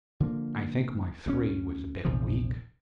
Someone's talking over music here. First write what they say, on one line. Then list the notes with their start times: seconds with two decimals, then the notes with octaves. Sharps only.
I think my "three" was a bit weak.
0.20 D3 F3 A#3
1.26 D2 G#3 C#4
2.05 A#1 E2 C3 F3